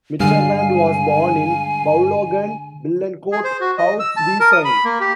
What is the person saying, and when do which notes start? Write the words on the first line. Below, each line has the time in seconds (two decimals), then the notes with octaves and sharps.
Mitterrand was born in Boulogne-Billancourt, Hauts-de-Seine.
0.20 G2 D3 G#3 F5 G#5 C7 D#7
3.32 G#4
3.44 C5
3.60 F#4
3.78 D#5
4.00 E6
4.17 A5
4.40 A#4
4.52 D#6
4.65 B5
4.85 A#3
5.00 G4